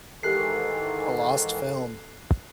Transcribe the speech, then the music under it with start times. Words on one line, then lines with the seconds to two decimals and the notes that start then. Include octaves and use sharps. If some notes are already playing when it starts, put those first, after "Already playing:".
A lost film.
0.23 G#2 D#3 E3 G4 A4 A#4 F#6 C7